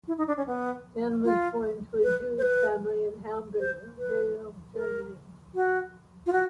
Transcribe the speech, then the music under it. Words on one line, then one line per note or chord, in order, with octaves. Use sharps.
Dehn was born to a Jewish family in Hamburg, Imperial Germany.
E4
D#4
D4
C#4
B3
F4
B4
C5
B4
C5
B4
A#4
F#4
F4
F#4